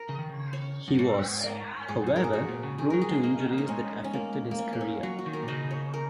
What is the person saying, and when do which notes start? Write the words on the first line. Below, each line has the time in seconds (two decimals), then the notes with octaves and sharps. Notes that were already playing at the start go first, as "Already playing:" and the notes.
He was, however, prone to injuries that affected his career.
Already playing: A#4
0.09 C#3
0.19 D#3
0.29 C#3
0.53 C#5
0.88 F#2
0.99 G#2 C#5
1.43 A#4
1.88 G#2 G#4
2.04 F#2 C#5
2.16 G#2 A#4
2.24 G#4
2.33 G#2 F#4
2.49 A#2
2.63 C#3
2.78 D#3 G#4
2.90 F#3 A#4
3.02 G#4
3.09 G#3
3.23 A#3 D#4
3.39 C#4
3.53 A#3 D#4
3.68 G#3 C#4
4.04 C#4
4.13 A#3
4.51 A#3
4.58 C#4
4.73 A#3
4.81 C#4
5.03 F#3 F#4
5.19 F#4
5.26 D#3
5.33 A#4
5.43 A#2
5.48 C#3 D#5
5.71 C#5
5.94 A#4